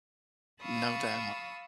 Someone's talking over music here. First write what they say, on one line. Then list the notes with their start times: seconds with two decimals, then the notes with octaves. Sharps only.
No doubt.
0.62 F5 A5 B5 C#6 D#6 E6